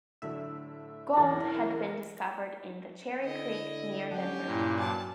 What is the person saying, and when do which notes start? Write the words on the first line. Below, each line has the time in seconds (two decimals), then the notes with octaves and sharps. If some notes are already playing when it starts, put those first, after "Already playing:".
Gold, had been discovered in the Cherry Creek, near Denver.
0.22 A2 D3 F#3 E5
1.17 B1 E2 C#3 E4 A#4 A6
3.22 D3 E4 D#5
4.11 F#3 C#4 G4 F#5 A5
4.46 G2 A#2 E4 G#5
4.79 F#3 G#5 A5 D6